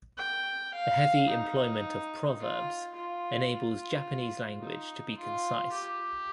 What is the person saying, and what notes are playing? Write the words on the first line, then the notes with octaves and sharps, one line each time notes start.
The heavy employment of proverbs enables Japanese language to be concise.
G5
F5
D#4
F4
F4
F4
D#4
F4
G4